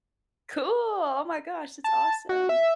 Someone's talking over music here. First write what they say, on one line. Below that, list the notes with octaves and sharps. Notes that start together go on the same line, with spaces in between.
Cool! Oh my gosh. That's awesome.
A5
F#4
E5